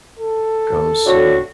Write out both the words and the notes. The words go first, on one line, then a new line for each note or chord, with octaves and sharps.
come see
A4
A2 D3 F#4